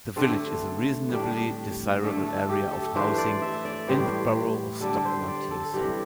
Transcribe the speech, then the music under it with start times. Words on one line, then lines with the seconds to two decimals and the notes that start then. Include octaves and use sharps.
The village is a reasonably desirable area of housing in the borough of Stockton-on-Tees.
0.16 D3 A3 C4 A4
1.09 A2 G3 D4
2.02 D3 A3 D4 A4
2.26 A4
2.49 G4
2.72 A4
2.95 E3 A3 D4 C5
3.18 D5
3.42 E5
3.65 D5
3.88 A2 E3 G3 C5
4.81 D3 G3 D4 A4
5.05 C5
5.28 D5
5.51 A4
5.74 C3 E3 G3 G4